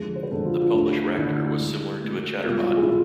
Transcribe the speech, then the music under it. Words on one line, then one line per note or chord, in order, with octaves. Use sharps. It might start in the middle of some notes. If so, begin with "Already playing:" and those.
The published Racter was similar to a chatterbot.
Already playing: F2 D3 G#3 G#4
C5
B4
F2 D3 G#3 A4
F4
F4
D2 D3 A3
D2 D3 A3 E4
A2 G#3
A2 G#3
C2 B2 G#3 F4
F4
G#4
E4
B2 F4